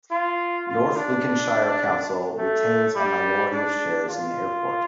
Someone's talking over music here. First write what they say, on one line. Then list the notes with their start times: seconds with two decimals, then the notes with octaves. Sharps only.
North Lincolnshire Council retains a minority of shares in the Airport.
0.11 F4
0.68 F4
0.96 D4
2.38 A3
2.96 G3
3.53 D4
4.09 F4